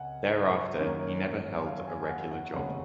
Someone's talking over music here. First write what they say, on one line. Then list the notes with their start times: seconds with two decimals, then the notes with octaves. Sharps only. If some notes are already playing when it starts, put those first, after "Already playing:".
Thereafter, he never held a regular job.
Already playing: C#2 C#3 F#5 G#5
0.79 F#2 D#3 A#3 C#4
1.66 F5
1.87 G#5
2.02 G#5
2.09 F#5
2.31 F#5
2.53 F1 D#2 C#3 G#3 C#4 F#5